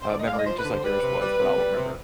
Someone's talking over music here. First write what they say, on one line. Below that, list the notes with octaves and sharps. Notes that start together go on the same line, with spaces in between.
uh, memory just like yours was that I'll remember.
C5
D3 D5
D#5
G#3 F5
D5
D#5
F3 C5
B4
D3
C5
G3 B4
C3
G3
C3
G3
C3